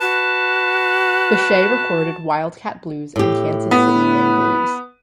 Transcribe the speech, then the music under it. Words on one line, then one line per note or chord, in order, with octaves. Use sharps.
Bechet recorded "Wild Cat Blues" and "Kansas City Man Blues".
F#4 B4 A5
A2 E4 G4
B3 B4